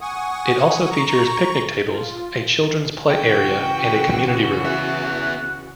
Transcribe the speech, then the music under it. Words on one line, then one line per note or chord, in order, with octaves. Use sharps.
It also features picnic tables, a children's play area and a community room.
F#5 G#5 C#6 D#6
A#5 C#6
F4
C#3 E3 F#4 G5
B3 E5 F#6